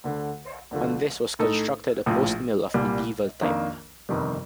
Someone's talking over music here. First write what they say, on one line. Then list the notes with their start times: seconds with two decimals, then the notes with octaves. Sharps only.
On this was constructed a post-mill of medieval type.
0.04 D2 D3 A3
0.71 D2 D3 F3 A3
1.39 A2 A3 D#4 A4
2.06 A#1 A2 F3
2.74 C2 A#2 G3
3.41 F2 D#3 A#3 D4
4.09 G1 F2 C3 D#3 G3